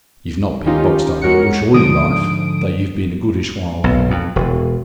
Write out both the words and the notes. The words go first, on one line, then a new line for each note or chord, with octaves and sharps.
You've not been boxed up in the bush all your life, though you've been a goodish while there.
D#3 C#4 D#4 F4 G4
G#3 F#4 A#4 C#5 F#5 C#7
G#2 D3 F3 D#6 D7
B1
F2
E1